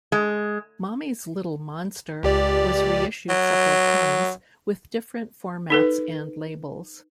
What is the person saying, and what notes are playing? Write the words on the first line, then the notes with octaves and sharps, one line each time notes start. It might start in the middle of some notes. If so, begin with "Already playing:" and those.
"Mommy's Little Monster" was reissued several times, with different formats and labels.
G#3
C#2 G4 D5
F#3
D#4 A4 B4